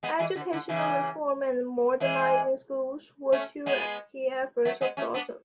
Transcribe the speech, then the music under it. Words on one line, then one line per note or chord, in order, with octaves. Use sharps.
Educational reform and modernizing schools were two key efforts of Dosan.
G#3 B3
E3 G#3
D3
D3
C#3 E3
E3 G#3
A3 C#4
G#3 B3
F#3 A3
G#3 B3
A3 C#4
B3 D4